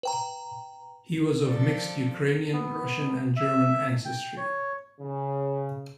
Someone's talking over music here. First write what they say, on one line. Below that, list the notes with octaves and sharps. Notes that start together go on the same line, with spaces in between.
He was of mixed Ukrainian, Russian, and German ancestry.
B4 G5 A#5
F3 D4 A4 D5
B3
E5
G5
C#5
C#3